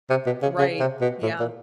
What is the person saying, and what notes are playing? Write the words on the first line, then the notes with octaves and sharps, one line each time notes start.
Right. Yeah.
C3
B2
C#3
C#3
C3
B2
A2
A#2